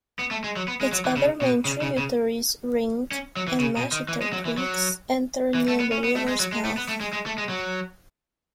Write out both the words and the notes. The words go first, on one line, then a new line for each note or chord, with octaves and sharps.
Its other main tributaries, Ring and Mashiter Creeks, enter near the river's mouth.
B3
A3
G#3
F#3
B3
G#3
F#3
E3
C#3
B2
C#3
C#3
C#3
C#4
F#3
E3
C#3
B2
D#3
E3
G#3
F#3
E3
F#3
E3
A3
B3
C#4
B3
A3
G#3
F#3
G#3
A3
B3
A3
G#3
G#3
A3
G#3
F#3